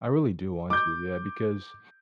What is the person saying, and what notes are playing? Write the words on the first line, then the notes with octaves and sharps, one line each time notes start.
I really do want to, yeah, because,
D6 G6